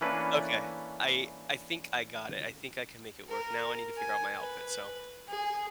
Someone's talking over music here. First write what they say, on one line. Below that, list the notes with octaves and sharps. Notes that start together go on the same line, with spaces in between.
Okay, I I think I got it, I think I can make it work, now I need to figure out my outfit, so
E3 A3 A#3 C#4 D4 B4
A#4
G#5
B4
G#4